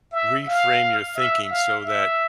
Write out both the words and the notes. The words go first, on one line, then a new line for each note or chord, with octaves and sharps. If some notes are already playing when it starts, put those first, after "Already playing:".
reframe your thinking so that
E5
F5
E5
F5
E5